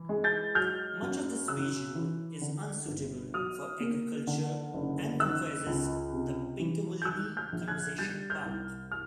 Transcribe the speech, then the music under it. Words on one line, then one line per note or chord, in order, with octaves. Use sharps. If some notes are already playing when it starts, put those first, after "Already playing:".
Much of this region is unsuitable for agriculture and comprises the Pinkawillinie Conservation Park.
Already playing: E3
G#3
G6 A6
F#3 F6 G6
F#2
C#3 E6 F#6
E3
D3
G1
F#3 D#6 F6
A#3
D3
F#1
D#3 E6 F#6
C#2
C3
E3
G6
D#3 E6 F#6
F6 G6
A#1
F#6 G#6
G3 G6 A6
F6 G6
C2
F6